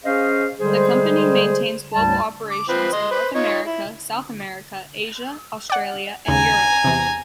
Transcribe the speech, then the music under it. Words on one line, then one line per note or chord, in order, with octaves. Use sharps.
The company maintains global operations in North America, South America, Asia, Australia, and Europe.
C#4 G#4 C5 D#5 F5
D3 G3 G#3 G#4 C5
D2 G#2 G3 A5
D6
F3 C4 B4
D#5 C6
B4 C5
D#4 F4 C#5
E4
D5 F#5
D#2 C#3 G#5 A#5
E2 C3